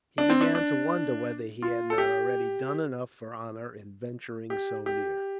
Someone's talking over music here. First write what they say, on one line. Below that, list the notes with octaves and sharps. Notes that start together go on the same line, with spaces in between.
He began to wonder whether he had not already done enough for honour in venturing so near.
D4
C4
D4
D4
F4
A4
G4
G4
G4